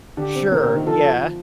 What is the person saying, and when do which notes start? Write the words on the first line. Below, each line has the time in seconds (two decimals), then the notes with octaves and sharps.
Sure, yeah.
0.17 D3 D4 G4
0.35 C3 C4
0.52 A#2 A#3 A#4
0.63 C3 C4
0.76 D#3 D#4
0.87 F3 F4 A4